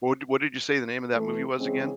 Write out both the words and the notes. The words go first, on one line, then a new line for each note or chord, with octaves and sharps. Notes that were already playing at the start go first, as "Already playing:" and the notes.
What d what did you say the name of that movie was, again?
E3 A3
C#3 E3 G#3 C4 C#4 G#4